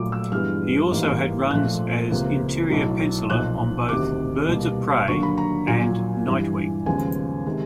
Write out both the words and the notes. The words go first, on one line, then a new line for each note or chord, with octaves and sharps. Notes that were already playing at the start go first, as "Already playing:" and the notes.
He also had runs as interior penciler on both "Birds of Prey" and "Nightwing".
Already playing: A#1 A#2 F#3 A3 D6
E6
G2 E3 G#3 B3 F6
A1 G#2 E3 G3 A#3
A#1 A#2 F3 A3 F#6
C#2 C3 F3 A#3
B1 A2 F#3
B1 A#2 F3 F#6
D2 C3 D#3 D6
C2 B2 G3 A#3
D#2 D3 F#3 A#3 C#6
B5
A#5
A#1 A#2 F#3 G#5
G2 E3 G3
D#2 C#3 F3 G#3 B3 G#5
C3 D#3 G#3